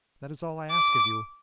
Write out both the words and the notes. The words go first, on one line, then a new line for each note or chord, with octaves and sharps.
That is all I ask of you.
D6